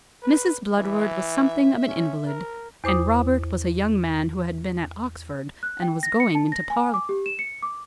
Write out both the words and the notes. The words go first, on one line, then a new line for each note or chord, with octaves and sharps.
Mrs. Bludward was something of an invalid, and Robert was a young man who had been at Oxford and was going into Parliament.
B4
E3 E5
C#4
A#4
E2 C5 D6 D#6
F#6
G5
A#6
C#7
A5
A#6
G#5
D6
G4
E7
C#7
D6